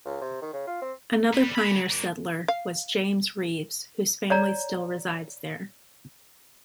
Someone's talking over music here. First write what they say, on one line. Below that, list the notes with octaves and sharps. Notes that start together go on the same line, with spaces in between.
Another pioneer settler was James Reaves, whose family still resides there.
C#2
C3
D#3
C#3
F4
C4
G3 B4
C#3 B5
F#3 A#3
F5
C#5 D5 A#5